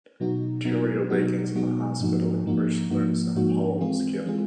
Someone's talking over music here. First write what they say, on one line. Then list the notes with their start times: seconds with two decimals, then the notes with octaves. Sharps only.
Terri awakens in the hospital, where she learns that Paul was killed.
0.20 B2 F#3 B3 D#4 F#4
0.65 B2 F#3 B3 D#4 F#4
1.10 B2 F#3 B3 D#4 F#4
1.55 B2 F#3 B3 D#4 F#4
2.00 G#2 F3 A#3 D#4 F#4
2.45 G#2 F3 A#3 D#4 F#4
2.90 G#2 F3 A#3 D#4 F#4
3.35 G#2 F3 A#3 D#4 F#4
3.80 E3 G#3 C4 F4 G#4
4.26 E3 G#3 C4 F4 G#4